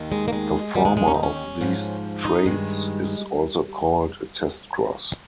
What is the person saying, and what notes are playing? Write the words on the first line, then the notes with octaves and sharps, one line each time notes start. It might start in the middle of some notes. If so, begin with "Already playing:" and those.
The former of these traits is also called a test cross.
Already playing: D#2 D#3
G#3
A#3
G#3
D#2 D#3 G3
G#3
G#3
C#4
D#4
C#4
G#2 F3
D#4
G2 D#3 G#3